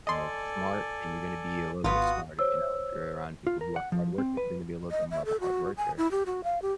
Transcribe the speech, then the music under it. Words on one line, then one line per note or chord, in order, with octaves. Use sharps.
you know, smart, then you're gonna be a little bit smarter, you know, if you're around people who are hard workers, you're gonna be a little bit more of a hard worker,
A4 D5 D#5 G#5 C6
G#1 B3 F4 F#4 F5 D#6
C5 C#5 E6
F4
A#4
F#5
F3
C4
B4
D#5
E5
A4
F#4
G#5
E4
G4
F#4
F5
G4